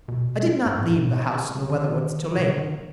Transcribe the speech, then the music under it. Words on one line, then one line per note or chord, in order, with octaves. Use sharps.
I did not leave the house of the Weatherwoods till late.
B2
G#2
A2
B2
C#3
D#3
D#3
B2
C#3
D#3